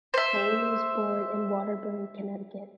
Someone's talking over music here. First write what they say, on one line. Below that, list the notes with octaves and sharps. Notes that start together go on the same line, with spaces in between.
Mayne was born in Waterbury, Connecticut.
C5 E5